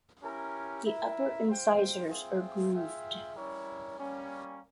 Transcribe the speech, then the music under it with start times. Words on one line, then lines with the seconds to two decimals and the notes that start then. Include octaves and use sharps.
The upper incisors are grooved.
0.22 C#4 E4 G4 A#4
0.84 E4 A#4 E5
1.47 F4 C5 G5
2.09 C4 F4 G#4 E5 G5
2.72 F4 G#4 E5 G5
3.35 G3 C#4 E4 A#4 C#5
3.97 G3 A#3 C#4